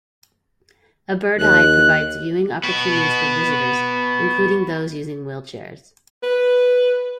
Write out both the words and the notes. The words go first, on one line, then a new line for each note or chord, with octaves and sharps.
A bird hide provides viewing opportunities for visitors, including those using wheelchairs.
D#2 F#6
B3 F#4
B4